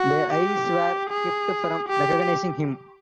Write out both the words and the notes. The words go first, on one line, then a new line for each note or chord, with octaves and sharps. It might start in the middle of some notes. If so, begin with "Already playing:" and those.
Their eyes were kept from recognizing him.
Already playing: F#4
G4
G#4
G4